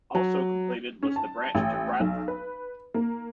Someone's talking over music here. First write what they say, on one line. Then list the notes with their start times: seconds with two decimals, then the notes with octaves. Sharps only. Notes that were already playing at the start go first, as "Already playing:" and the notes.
Also completed was the branch to Bradford.
0.15 F#3
1.03 C#4
1.16 A5
1.55 A1
2.00 B1
2.28 B4
2.94 A#3